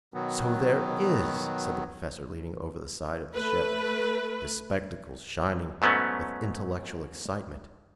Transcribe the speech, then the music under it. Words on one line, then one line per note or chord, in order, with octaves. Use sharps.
"So there is," said the Professor, leaning over the side of the ship, his spectacles shining with intellectual excitement.
B2 D#3 F#3 B3
A3 B4
G#2 F#3 A3 B3 C#4